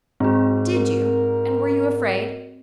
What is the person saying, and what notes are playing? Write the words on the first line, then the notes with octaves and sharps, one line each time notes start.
"Did you? and were you afraid?"
G#2 C4 F#4
A#4